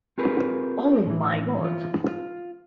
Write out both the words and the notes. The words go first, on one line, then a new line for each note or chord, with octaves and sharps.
Oh, my God!
C4 F4 G4 G#4 A#4 B4
A2 E3
E3 F4
F4